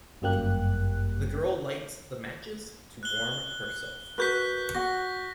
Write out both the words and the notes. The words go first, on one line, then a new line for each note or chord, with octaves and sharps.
The girl lights the matches to warm herself.
G1 F#2 G3 A#3 G4 F#6
F#6 G7
F#4 A#4 B4 F#6 G6 B6
F#4 F#5 A#6